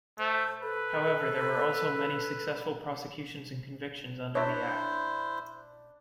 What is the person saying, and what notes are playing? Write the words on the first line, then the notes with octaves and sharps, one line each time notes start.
However, there were also many successful prosecutions and convictions under the Act.
A3 C5
A4 B4
D4 E4 C5 C#5 E5